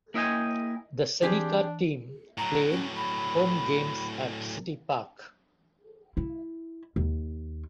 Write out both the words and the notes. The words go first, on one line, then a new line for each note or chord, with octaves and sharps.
The Seneca team played home games at City Park.
A#3 E4 D#5 E5 G5 G#5
E3 C4 D4 G4 G#4
A2 F#3 A#5
C#4
B5
E4
D#2